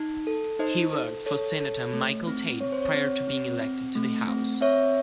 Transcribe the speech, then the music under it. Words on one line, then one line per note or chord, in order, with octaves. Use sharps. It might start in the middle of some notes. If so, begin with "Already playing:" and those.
He worked for Senator Michael Tate prior to being elected to the House.
Already playing: D#4
A4
D#4 C5 D#5
A4
A4 C#5
A4
A3
C4
C4 C#5
C5
C#5
C4
C4
C4
A3
C4
C4 C#5 E5